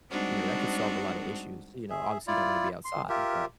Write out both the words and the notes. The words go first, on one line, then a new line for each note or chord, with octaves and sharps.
you know, that could solve a lot of issues. You know, obviously you don't wanna be outside, but,
G3 G#3 C4 D4 D#4 F#4
G#4 E5
E4 F4 D5
C6
F4 G4 A#4 E5